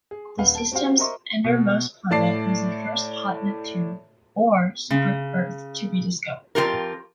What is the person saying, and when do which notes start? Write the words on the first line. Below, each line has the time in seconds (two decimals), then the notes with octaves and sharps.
The system's innermost planet was the first 'hot Neptune' or 'super-Earth' to be discovered.
0.11 G#4
0.38 D#1 B4 F5 F#5
0.55 A5 D7
0.72 C4 F#4 G4 C5 F5
0.99 A#4 C5 D#5 E5 C6 C#6
1.44 B2
2.11 A2 D5 A5 C7
4.91 C#3
6.55 F2 F#3 F4 G4 A#4